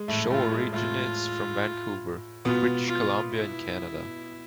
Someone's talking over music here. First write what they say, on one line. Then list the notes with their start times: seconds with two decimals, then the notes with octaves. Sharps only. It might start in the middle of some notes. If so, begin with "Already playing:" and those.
The show originates from Vancouver, British Columbia in Canada.
Already playing: G#3
0.08 A2 A3
0.30 A2 A3 F4
0.52 G#3
0.73 A2 A3 F4
2.45 B2 B3 F4
2.88 F4
3.31 E4